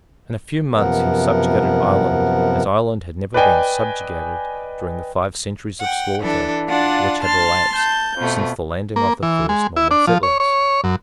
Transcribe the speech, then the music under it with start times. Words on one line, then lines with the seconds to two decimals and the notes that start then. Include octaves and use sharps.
In a few months he subjugated Ireland, as Ireland had never been subjugated during the five centuries of slaughter which had elapsed since the landing of the first Norman settlers.
0.75 F#2 C3 F3 B3 A#4 F#5
3.34 B4 D5 D#5 G5 G#5
5.80 F#5 G5
6.20 E3 D4 A4
6.67 D4 F4 D5 F5 F#5
7.23 A5 C6 F6 A6
7.75 A5 G6
8.18 F2 B2 A3
8.96 A#3
9.23 E3
9.49 G#3
9.76 E4
9.91 D4
10.07 F3
10.23 C#5
10.40 C#5
10.84 F#2